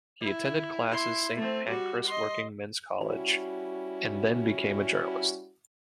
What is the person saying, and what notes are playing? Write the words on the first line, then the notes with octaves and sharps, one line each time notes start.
He attended classes Saint Pancras Working Men's College and then became a journalist.
E4
E4 C6
A3 C4
G3 F#4
D#5 C6
G3 C#4 E4 F#4